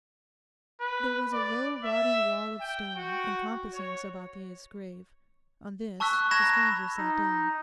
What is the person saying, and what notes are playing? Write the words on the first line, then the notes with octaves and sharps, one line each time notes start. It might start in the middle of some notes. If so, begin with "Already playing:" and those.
There was a low rotting wall of stone encompassing Sabathier's grave; on this the stranger sat down.
B4
D5
E5
G5
F#4
C#5
A5 C#6 E6 F#6 B6
F#6
B5 C#6 G#6 A#6 E7
A#5
D#4